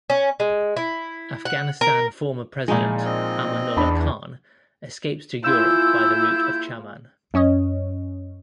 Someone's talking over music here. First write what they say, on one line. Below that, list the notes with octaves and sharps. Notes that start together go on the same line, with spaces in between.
Afghanistan Former President Amanullah Khan escapes to Europe by the route of Chaman.
C#4
G#3
E4
F#5
A#4
A#2 F3 G#3 D#4 E4
C4 D#5
E2 D4 B5
A#3 E4 F4 G#4 E6 G6
F#2 C#4 C#5 D#5